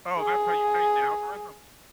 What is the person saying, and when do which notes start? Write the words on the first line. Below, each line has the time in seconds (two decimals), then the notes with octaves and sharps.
Oh, that's how you change the algorithm?
0.18 G#4 G#5